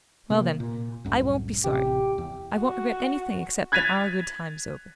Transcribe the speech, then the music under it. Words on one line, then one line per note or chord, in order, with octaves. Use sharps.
"Well, then--I WON'T be sorry; I won't regret anything except that our good time is over!"
C3 A#3
A#2
C2 F#2 A2
A1 C3 G4
E2
F#4
F#6 G#6 A6 B6 D#7 F7